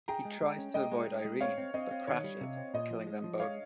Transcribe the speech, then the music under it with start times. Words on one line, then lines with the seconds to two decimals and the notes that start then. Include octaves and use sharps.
He tries to avoid Irene but crashes, killing them both.
0.08 G#4 G5 A#5
0.25 G#3
0.42 G#3
0.58 C#4
0.74 G#3 D#5 G5
0.92 G#3
1.08 G#3
1.25 G#3
1.41 C4 C#5 F5
1.58 C4
1.74 C4 D#5
1.91 C4
2.07 D#3 C#5
2.24 G3
2.41 C3
2.57 C4
2.74 A#2 D#5
2.90 F3
3.07 G#3
3.24 F3
3.40 G#3 C#5 F5